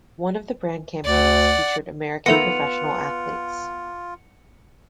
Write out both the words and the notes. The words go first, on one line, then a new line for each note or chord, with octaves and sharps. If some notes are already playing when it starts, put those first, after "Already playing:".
One of the brand campaigns featured American professional athletes.
D2 D5 F#5
D#3 A3 B3 F4 A#6 C#7 F7